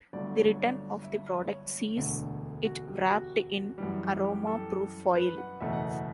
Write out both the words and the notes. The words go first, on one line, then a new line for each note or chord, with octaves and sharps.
The return of the product sees it wrapped in aroma proof foil.
G1 G2 D3 F#3 A3 D5
C#5
D5
E5
C#5
E1 D2 D3 A3
F#4
G4
F#4
F#2 E3 G3
G4
A4
B4
F#5
F#1 E2 B2 A3 E5
F#5
F#5
E5